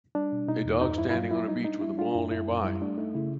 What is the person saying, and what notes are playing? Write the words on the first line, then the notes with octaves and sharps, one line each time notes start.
A dog standing on a beach with a ball nearby.
G3 D4
B2
B2 D#4
E2
G2 D#4
G2 E4
E4
F#3 F4
F#3 E4
G3 D#4
D4 D#4
G3 E4
D4 F4
F#2 E4
F#2 E4
F#2 D#4
G3 E4
A3 D4
A3 D#4
C#3 E4